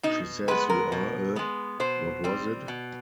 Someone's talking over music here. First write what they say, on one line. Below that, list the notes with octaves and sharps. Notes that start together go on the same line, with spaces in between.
She says you are a — What was it?
B2 D#4
G#3 B3 B4
A#4
B2
G#3 B3
B2 C5
G3 C4
B2